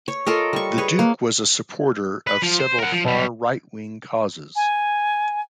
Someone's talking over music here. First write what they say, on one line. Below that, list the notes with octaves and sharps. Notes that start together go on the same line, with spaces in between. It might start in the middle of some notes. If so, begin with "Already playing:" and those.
The Duke was a supporter of several far right-wing causes.
C#5
F4 A4 A#4 D#5
G3 C#6
G#4 B4 C#5
A#3
B4
F3
C5
A#4 F#5
F3
B1 G3
G#5